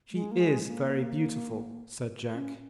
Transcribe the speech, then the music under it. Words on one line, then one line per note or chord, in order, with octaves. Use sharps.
"She is very beautiful," said Jack.
G#3
A#3
G#3
A#3
C#4